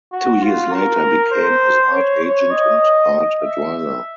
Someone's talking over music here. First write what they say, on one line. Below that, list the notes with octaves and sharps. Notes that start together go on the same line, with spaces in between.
Two years later became his art agent and art advisor.
F#4
F4
A#4
C5
C#5
C#5
D#5
E5